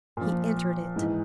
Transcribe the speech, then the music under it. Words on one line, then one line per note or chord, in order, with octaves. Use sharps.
He entered it.
A#2 F3
G#2 E3